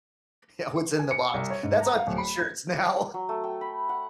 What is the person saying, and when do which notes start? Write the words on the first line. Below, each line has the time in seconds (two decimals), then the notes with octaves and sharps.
yeah, "What's in the box?" That's on T-shirts now.
0.99 G#5
1.11 C#7
1.34 C2
1.50 C#5
1.63 G#2
1.81 A#5
1.93 F5
2.07 D1
2.18 B5
2.40 G#6
3.14 F#3
3.29 A3
3.44 G5
3.61 B5
3.89 F#5